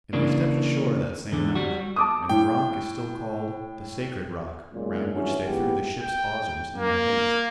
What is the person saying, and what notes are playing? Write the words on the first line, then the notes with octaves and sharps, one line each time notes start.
And they stepped ashore that same night; and the rock is still called the Sacred Rock round which they threw the ship's hawsers in their haste.
C#3 E3 A#3 D4
E2 D3
G3 F#4
A5 D6 D#6
A2 G5
B1 F#2 A#2 C#3 G#3
G2 D#3 E3 F#3 A3 C#4
C#2 G#2 E3 B3 G4
G5
A#3